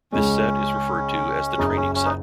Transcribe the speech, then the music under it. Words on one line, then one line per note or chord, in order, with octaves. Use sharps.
This set is referred to as the training set.
C#2 C#3 G#3 C#4
F#1 F#2 C#3 D#4
C#4
C#4
D#4